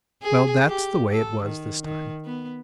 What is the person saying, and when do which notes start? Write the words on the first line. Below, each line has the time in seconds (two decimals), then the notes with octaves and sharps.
Well, that's the way it was this time.
0.22 G#4
0.67 G4
1.13 A4
1.43 D#3
1.84 D#3
2.25 B3